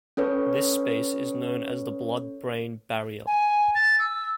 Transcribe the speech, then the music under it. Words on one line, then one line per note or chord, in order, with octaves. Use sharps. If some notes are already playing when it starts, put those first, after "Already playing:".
This space is known as the blood-brain barrier.
C#4 A4 B4 C#5
G#5
A6
E6